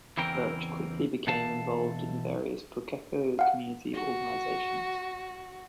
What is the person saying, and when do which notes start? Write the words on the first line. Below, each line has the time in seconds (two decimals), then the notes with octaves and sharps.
Birch quickly became involved in various Pukekohe community organisations.
0.17 E2 C#3 E3 C4 A#4 G5
1.27 B2 E3 A4 F5 A5
3.39 F5 F#5
3.93 F#4